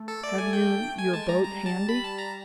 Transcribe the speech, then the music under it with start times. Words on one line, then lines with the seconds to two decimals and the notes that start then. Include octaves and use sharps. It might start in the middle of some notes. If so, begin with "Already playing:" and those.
"Have you your boat handy?"
Already playing: A3
0.08 A4
0.24 D5
0.38 G#5
0.53 G5
0.99 G#5
1.14 G#3 A5
1.28 G#3 A#5
1.43 G3 A#5
1.66 A5
1.89 B5
2.04 A5
2.18 A#5